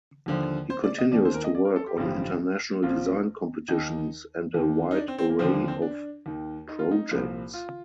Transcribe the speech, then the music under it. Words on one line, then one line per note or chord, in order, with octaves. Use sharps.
He continues to work on international design competitions and a wide array of projects.
D#2 D3 F3
C5
D5
D#5
D#2 D#3 D5
C5
A#4
D#5
D5
A#4
A4
G4
A1 G2 D3 F3
A#1 A#2 F3 F4
D#2 D#3 D#4
D#2 D#3
D#4
D4
C4
C4
A#3
D#2 D3 F3 C4
A#3
C4
D4
D#2 D#3
D#4
F4
D#4
C2 A#2 F3
F4